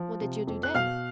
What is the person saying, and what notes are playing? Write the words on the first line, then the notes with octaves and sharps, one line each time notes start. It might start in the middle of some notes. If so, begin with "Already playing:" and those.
"What did you do then?"
Already playing: F3
C3
F2
F#6
B2 F5 F6